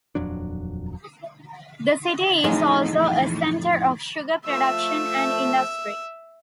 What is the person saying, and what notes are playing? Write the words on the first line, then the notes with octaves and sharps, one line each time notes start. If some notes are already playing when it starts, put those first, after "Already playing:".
The city is also a centre of sugar production and industry.
D#1 F2 F#3 D4
F2 A2 G#3 D#4
F3 A3 E5